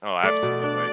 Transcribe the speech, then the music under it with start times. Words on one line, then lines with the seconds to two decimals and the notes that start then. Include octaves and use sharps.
Oh, absolutely.
0.23 A3 D5
0.43 B2
0.63 D4 D5